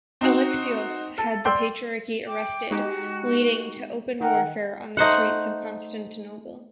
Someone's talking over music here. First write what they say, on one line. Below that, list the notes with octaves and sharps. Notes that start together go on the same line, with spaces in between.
Alexios had the patriarch arrested, leading to open warfare on the streets of Constantinople.
C4 D#4 F#4
A4
D5 G5 C6 E6
G5 D6
G#3 D#4 F#4 G4
D#3 A#4 F#5 G5
A3 D#4 C5 F#5